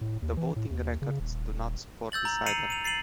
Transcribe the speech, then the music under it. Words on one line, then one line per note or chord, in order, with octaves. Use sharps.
The voting records do not support this either.
A2
D#2
E3
A2
D#2
C#3
D#1
E6 G6 A6 F#7
A#5
A#5 C7 C#7 D#7 F7 F#7
D#7 F7
A6 C7 D#7 F#7